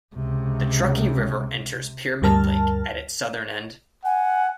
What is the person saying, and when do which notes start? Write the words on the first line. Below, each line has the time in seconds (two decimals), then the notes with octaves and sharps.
The Truckee River enters Pyramid Lake at its southern end.
0.15 C#2 C3
2.22 D2 G2 G3 A#4 A5 F6
4.05 F#5 G#5